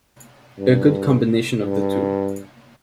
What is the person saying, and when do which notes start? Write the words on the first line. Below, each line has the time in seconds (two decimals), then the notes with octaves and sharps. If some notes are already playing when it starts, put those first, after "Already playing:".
A good combination of the two.
0.59 G2
1.66 G2